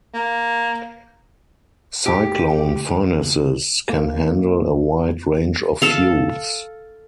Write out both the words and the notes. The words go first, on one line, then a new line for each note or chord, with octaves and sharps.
Cyclone Furnaces can handle a wide range of fuels.
A#3
G4
A#3
A4 F5